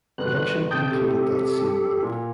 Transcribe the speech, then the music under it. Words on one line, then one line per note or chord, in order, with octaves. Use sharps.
Production concluded that same month.
G1 F#6
C3 G5 A5 D#6 G6
G4 A4
A#2